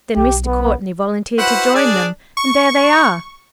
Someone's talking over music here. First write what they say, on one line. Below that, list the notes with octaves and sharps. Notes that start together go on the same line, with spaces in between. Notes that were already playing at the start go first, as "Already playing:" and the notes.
Then Mr. Courtney volunteered to join them, and there they are.
B1 G4
B3
E4 F#4 B4 C5 F#5
D4 G#4 D5
C#6